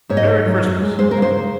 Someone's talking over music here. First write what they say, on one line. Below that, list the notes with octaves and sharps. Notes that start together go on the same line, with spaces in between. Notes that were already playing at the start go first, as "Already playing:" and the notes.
Merry Christmas!'
G#2 C#5
D#5
G#2 C#5
F#3
F#2
G#3
G#3 C5
A#4
C#3
C5